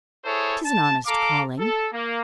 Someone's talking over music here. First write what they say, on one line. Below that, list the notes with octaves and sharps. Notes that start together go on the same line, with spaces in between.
'Tis an honest calling.
E4 G#4 A4 C5 C#5
A5
A4 F5 A#5 D6
A4
A#3